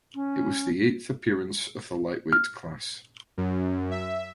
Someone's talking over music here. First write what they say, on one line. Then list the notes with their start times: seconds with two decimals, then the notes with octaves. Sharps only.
It was the eighth appearance of the lightweight class.
0.15 C#4
2.33 F6
3.37 F#2
3.91 E5